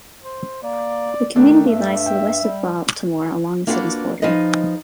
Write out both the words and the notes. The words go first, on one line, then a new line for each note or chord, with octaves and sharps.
The community lies to the west of Baltimore along the city's border.
C5
A#3 D5
D#3 A3 D4
G2 E5
G5
G3
A#3 D4 F4 F#4 B4 F#5
F3 D#4 G#4 B4 D#5